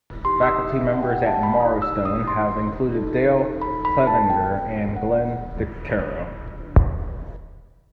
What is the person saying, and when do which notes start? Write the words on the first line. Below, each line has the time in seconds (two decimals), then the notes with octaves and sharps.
Faculty members at Marrowstone have included Dale Clevenger and Glenn Dicterow.
0.25 D#4 G4 C6
0.43 E6
0.47 D#6
0.69 E5
0.93 F#5
1.03 G5
1.10 F#5
1.26 A5
1.43 B5
1.60 G4 D#6
1.65 D#4
1.82 E6
2.05 D#6
2.27 C6
2.95 D#4 A4
3.62 B5
3.85 B5
4.07 A5
4.30 B3 F#4 A4 G5
4.96 F#5